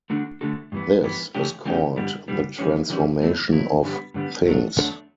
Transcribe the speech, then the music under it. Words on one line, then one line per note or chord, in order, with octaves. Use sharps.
This is called the Transformation of Things.
D3 A3 D4 F#4 A4
D3 A3 D4 F#4 A4
G2 E3 B3
G2 E3 B3
C#3 E3 A3 C#4 G4
C#3 E3 A3 C#4 G4
G2 D3 G3 B3
G2 D3 G3 B3
E3 G3 C#4
E3 G3 C#4
F#3 A3 E4
F#3 A3 E4
G2 D3 G3 B3
G2 D3 G3 B3
E2 D3 F#3 A3 D4
E2 D3 F#3 A3 D4